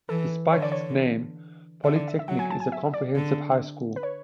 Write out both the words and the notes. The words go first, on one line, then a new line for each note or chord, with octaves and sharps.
Despite its name, Polytechnic is a comprehensive high school.
E3 A4
D3 C#5
D5
C#5
D3 E5
D5
E5
E5
F#3 F#5
G#5
A5
G#5
E5
D5
D3
B4
C#5